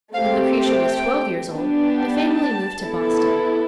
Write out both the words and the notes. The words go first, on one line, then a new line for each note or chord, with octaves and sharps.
When Lucretia was twelve years old, the family moved to Boston.
A3 C4 G4 F5
G5
B3 D4 G4
A5
B3 E4 A4